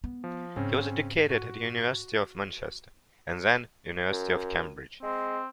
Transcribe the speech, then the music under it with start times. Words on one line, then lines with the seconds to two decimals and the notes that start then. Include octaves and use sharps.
He was educated at University of Manchester, and then University of Cambridge.
0.04 B3
0.24 F3
0.56 G#2 C#3 C4 C#4
1.30 F#4
4.11 F#2
5.03 G#3 C4